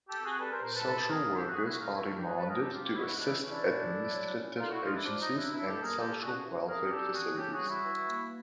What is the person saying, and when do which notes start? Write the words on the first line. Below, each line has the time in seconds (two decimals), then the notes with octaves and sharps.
Social workers are remanded to assist administrative agencies and social welfare facilities.
0.09 G4 A4
0.16 C4
0.24 F#4 G#4
0.39 G3 A4 B4
0.51 A#4 C5
0.62 A#2 A#4 C5
0.74 A4 B4
0.86 E3 A4 B4
1.09 C4 G#4 A#4
1.32 G3 G4 A4
1.48 F#4 G#4
1.56 E3
1.64 E4 F#4
1.79 A#2 D#4 F4
1.94 E4 F#4
2.03 A3
2.16 G4
2.25 F#3 F#4 G#4
2.37 A4 B4
2.49 C#4 G#4 A#4
2.60 G4 A4
2.72 C3 F4 G4
2.84 F4 G4
2.95 G#3 E4 F#4
3.08 E4 F#4
3.18 E3 D4 E4
3.42 C#4
3.49 D4 E4
3.65 A#2
3.89 A3
4.12 F#3
4.35 C#4
4.58 D3 D#4 F4
4.70 E4 F#4
4.81 G#3 D#4 F4
4.93 D4 E4
5.04 F3 D4
5.21 D#4
5.28 C#4
5.36 D4 E4
5.51 B2 D4 E4
5.67 G4 A4
5.75 A#3
5.82 G#4 A#4
5.98 G3 G4 A4
6.21 C#4 F#4 G#4
6.44 E3
6.68 C4 G#4 A#4
6.90 G3 G4 A4
7.14 E3 F#4 G#4
7.37 C#3 G4 A4
7.53 F#4 G#4
7.61 G3
7.69 E4 F#4
7.85 E3
8.08 A#3